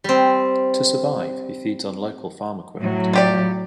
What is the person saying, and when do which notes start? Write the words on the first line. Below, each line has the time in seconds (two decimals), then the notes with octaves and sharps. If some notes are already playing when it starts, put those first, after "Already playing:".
To survive, he feeds on local farm equipment.
0.04 G3 C4
2.80 A2 F#3
3.13 F4 G4 D5